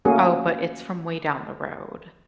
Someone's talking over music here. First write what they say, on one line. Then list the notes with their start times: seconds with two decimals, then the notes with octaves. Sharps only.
Oh, but it's from way down the road.
0.05 A3 A#3 C#4 F#4 G#4